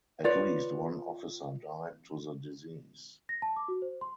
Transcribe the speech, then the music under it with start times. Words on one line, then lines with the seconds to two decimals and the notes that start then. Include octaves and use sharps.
At least one officer died to the disease.
0.24 F4 B4 C#5 D5
3.29 A#6
3.42 A5
3.56 D6
3.68 F#4
3.82 C5
4.01 C6